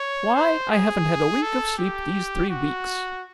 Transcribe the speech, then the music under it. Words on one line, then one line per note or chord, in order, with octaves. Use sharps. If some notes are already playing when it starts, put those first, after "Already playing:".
Why, I haven't had a wink of sleep these three weeks!'
Already playing: C#5
C5
G#4
A4
G4
F#4